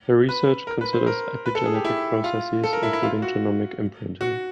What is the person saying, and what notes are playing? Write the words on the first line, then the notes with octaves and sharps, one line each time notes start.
Her research considers epigenetic processes including genomic imprinting.
B4
A#4
B4
C5
A#4
B4
A4
G#4
G4
E4
F4
A4
A#4
E4
E4
F4
F#4
F#4